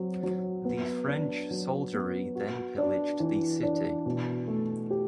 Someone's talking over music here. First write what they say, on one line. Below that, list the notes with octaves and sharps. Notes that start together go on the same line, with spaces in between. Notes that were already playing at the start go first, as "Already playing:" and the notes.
The French soldiery then pillaged the city.
Already playing: F#3 C4
F#3
B3
D4
F#3
B3
F#4
D4
E3
D4
B2
A3
G4